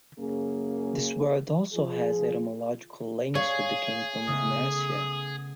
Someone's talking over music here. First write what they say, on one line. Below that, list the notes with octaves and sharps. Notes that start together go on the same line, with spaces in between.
This word also has etymological links with the Kingdom of Mercia.
F#2 C#3 A#3 C#4 G#4
F3 F4 G#4
G#4 C#5 F5
C#3 A3 B3 D#6